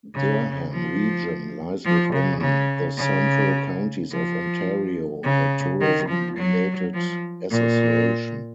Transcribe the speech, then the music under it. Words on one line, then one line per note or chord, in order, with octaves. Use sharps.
Durham Region lies within the Central Counties of Ontario, a tourism-related association.
C#3
F3
F3
C#3
C#3
C#3
F3
C#3
D#3
F3
F#3
F3
A#2